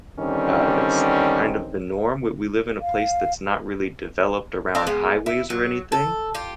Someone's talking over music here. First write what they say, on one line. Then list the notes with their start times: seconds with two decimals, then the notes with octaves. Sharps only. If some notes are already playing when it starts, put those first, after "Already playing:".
uh, it's kind of the norm, we we live in a place that's not really developed around highways or anything,
0.19 D3 D#3 G3 C4 C#4
2.81 F5
4.75 C4 D4 D#4 F5
4.87 G#3 B3
5.26 E4
5.50 F#3
5.92 A4
6.34 F4 G4